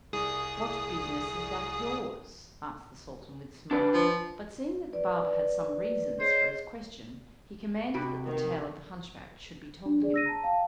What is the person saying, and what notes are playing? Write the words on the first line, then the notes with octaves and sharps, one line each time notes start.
"What business is that of yours?" asked the Sultan with a smile; but seeing that the barber had some reasons for his question, he commanded that the tale of the hunchback should be told him.
C2 G#4 D#6
D4 B4 D5
F3
B4 D5
G#4 C5 C#5 D#5
C3 F#4 B5
D#3
D4
D4 G#4 D5
E6 A#6 D#7
A5 A#5
F5 G5 A5